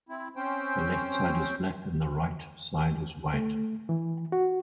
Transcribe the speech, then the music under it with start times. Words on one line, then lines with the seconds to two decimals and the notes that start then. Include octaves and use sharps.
The left side is black and the right side is white.
0.09 C4 E4
0.36 C4 C#4 C5 G5
3.34 A3
3.89 E3
4.32 F#4